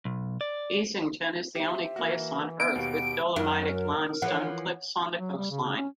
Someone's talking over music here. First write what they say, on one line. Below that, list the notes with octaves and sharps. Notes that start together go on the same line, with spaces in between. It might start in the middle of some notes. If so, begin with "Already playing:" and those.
Easington is the only place on earth with dolomitic limestone cliffs on the coastline.
B1
D5
G4 C5 E5
E3 A#3 F#4
B3 D#5 D7
D#2 B2 G4
F#2 A#4
E3 F3 C#5 F#5
F#3
G3
C#3
C#3
C#4